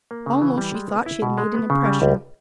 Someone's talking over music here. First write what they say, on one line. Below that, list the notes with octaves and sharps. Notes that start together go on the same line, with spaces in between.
Almost she thought she had made an impression.
A#3
C#3
E3
G3
G#3
B3
E4
B2
G#3
B3
C#3
G3
C#2